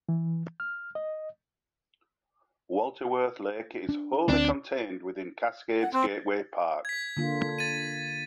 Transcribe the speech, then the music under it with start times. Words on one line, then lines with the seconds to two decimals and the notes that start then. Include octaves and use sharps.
Walter Wirth Lake is wholly contained within Cascades Gateway Park.
0.09 E3
0.60 F6
0.95 D#5
3.89 D4
4.29 D2 C4 D4
5.82 F#5
5.93 C4 C6
6.85 G#6 B6
7.17 D3 A#3 F4
7.59 A6 D#7